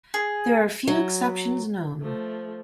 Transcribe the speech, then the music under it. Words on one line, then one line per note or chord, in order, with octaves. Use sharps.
There are a few exceptions known.
G#4
F#3
F3 A3